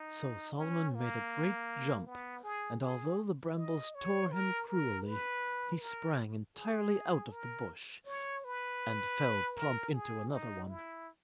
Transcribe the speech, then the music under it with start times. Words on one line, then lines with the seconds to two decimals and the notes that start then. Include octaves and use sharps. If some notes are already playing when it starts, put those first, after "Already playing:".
So Solomon made a great jump, and although the brambles tore him cruelly, he sprang entirely out of the bush and fell plump into another one.
Already playing: D#4
0.57 C#4
0.95 A#3
2.06 B3
2.44 G#4
2.81 G#4
3.57 D#5
3.95 C#5
4.32 A#4
4.68 A#4
5.06 B4
5.81 A#4
6.57 G#4
7.32 A#4
8.06 C#5
8.44 B4
9.56 A#4
9.94 G#4
10.31 D#4
10.69 E4